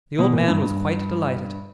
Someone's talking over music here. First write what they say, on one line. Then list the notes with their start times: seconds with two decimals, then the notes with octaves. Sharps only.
The old man was quite delighted.
0.19 B2
0.33 A#2
0.48 G2
0.62 G2